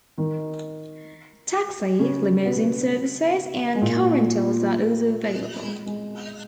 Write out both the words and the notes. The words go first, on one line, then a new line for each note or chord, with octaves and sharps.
Taxi, limousine services, and car rentals are also available.
D#3 D#4
C#3 C#4
B2 B3
G#3
A#2 A#3
G#3
G#3